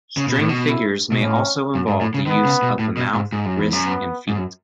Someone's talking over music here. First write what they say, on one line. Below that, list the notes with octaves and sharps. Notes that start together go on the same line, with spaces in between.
String figures may also involve the use of the mouth, wrist, and feet.
C#3
B2
A2
B2
E4
B2
A2 C#4
F#2
G#2
A2
C#3
D#3 B3
C#3
B2
A2
B2
G#2
G#2
F#2
E2
F#2
B3
G#2
F#2